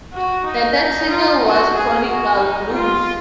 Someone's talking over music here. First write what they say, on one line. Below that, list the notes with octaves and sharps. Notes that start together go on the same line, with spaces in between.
The third single was "Prodigal Blues".
F#4
D#4
F4
F#4
G#4
F#4
D#4
F4